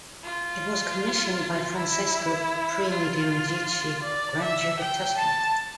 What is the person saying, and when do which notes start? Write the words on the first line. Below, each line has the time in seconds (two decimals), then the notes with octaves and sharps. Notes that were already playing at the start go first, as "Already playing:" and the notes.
It was commissioned by Francesco I de' Medici, Grand Duke of Tuscany.
0.24 F4
1.76 E4
2.90 F4
4.03 D5
4.42 E5
4.79 G5
5.17 A5